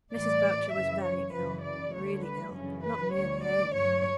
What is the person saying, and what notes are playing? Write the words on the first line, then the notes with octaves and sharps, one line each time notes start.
Mrs. Boucher was very ill; really ill--not merely ailing.
A2 E3 G3 D5
F#2 C#3 E3 E5
C#5
F#2 C#3 E3 B4
D5
D2 D3 G3 C#5
B4
F#2 C#3 E3 C#4
B4
D2 D3 G3 C#5
D5
G2 F#3 C#5